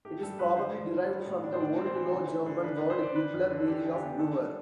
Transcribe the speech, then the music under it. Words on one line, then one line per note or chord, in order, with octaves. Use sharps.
It is probably derived from the Old Low German word "gibbler", meaning brewer.
A3 G4
G2 A4
G2 B4
D3 C5
D3
A3
G3
A2
D4
C5
A2 D5
C4
C5
E3
D3
A3
D3
D4 B4
D4 B4
C5
D4 D5
D3 B4
F2
D3
A4
D4 G4
E3
G4
B3
D3 A4
G3